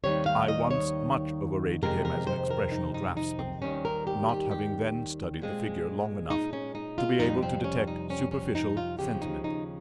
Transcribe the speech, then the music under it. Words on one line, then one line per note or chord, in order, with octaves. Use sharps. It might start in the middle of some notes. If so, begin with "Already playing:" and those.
I once much overrated him as an expressional draughtsman, not having then studied the figure long enough to be able to detect superficial sentiment.
D#2 D#3 G3 C4 C#5
F5
D#5
C#5
F2 C3 D#3 G#3 C4 A#4
A#4
C5
A#4
D#4
D#4
D#4
C4
D#2 D#3 G3 C4 C#4
A#4
G4
G4
G4
A#2 G#3 C4
D#4
C#4
D#4
F4
F2 C3 G3 D#4
C4
C#4
D#4
C#4
C#4
D#4
F4
D#2 C#3 F3 C4 G4
D#4
D#4